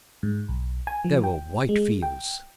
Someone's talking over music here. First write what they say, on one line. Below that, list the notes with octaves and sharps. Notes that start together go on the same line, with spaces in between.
There were white fields.
G#2
B1
G#5
F3
G5
G#3
G5